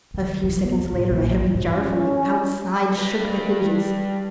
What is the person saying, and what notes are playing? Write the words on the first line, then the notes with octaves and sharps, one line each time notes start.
A few seconds later a heavy jar from the outside shook the hinges.
D#3
F3
B3
D3
A2
A#1
G2
G#2
C#4
G3 B4